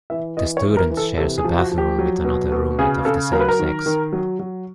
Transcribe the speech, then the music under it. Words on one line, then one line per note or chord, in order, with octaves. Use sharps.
The student shares a bathroom with another roommate of the same sex.
E3 E5
E3 D#5
C#5
E3
A#4
E3
A4
C3 A4
G#4
F3
F#4
F3
G4
F#3
B2
B2
C#3 G#4
C#3 A4
F#3 A#4
B4
A#4
D#3
D#3
F#3
F#3